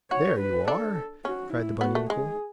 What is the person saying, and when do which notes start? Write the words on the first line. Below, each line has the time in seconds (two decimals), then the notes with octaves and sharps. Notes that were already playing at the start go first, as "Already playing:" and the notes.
"There you are!" cried the bunny uncle.
0.11 F#4 C#5
0.40 B4
0.68 D4 A4
1.25 C#4 F#4
1.53 E4
1.81 B3 F#4
1.95 A3
2.10 G#3 G#4